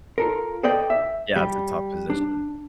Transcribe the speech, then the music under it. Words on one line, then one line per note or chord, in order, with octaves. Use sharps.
Yeah, it's a tough position.
F4 A4 A#4
A4 C5 D5 D#5 G5
E5
G3
D4